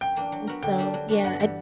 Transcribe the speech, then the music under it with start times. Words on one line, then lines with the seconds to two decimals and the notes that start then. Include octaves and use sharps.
And, so, yeah I'd
0.01 F#2 G5
0.16 E3 A#3 D4
0.32 F#3
0.47 B3 F#4 A#4
0.62 D3 G5
0.78 G3 A#3 D4
0.94 F#3
1.09 B3 D4 F#4
1.24 G2 F#5
1.40 E3 G3